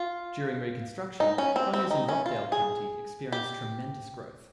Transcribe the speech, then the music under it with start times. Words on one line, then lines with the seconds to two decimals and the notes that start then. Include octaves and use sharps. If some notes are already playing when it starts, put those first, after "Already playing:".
During Reconstruction, Conyers and Rockdale County experienced tremendous growth.
Already playing: F4
1.20 D#4
1.38 C#4
1.56 C4
1.74 C4
1.91 D#4
2.09 C#4
2.26 F4
2.52 G#4
3.32 G4